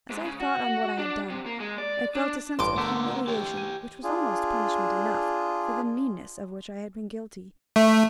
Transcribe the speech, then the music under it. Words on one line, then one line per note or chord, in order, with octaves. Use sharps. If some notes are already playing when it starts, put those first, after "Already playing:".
As I thought on what I had done, I felt a sense of humiliation which was almost punishment enough for the meanness of which I had been guilty.
G#2
C#3
F#4
D4
C3
A#3
G#3
D5
D4
A1 G2 C6 D6
D3 A3 B3 A#4 A5
G4 C#5
G#5
D4 F4 G#4
A3